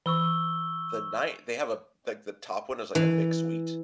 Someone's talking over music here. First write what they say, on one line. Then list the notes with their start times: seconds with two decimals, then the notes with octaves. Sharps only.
the night they have a like, the top one is, like, a big suite
0.06 E3 C#6 E6 G7
2.95 E3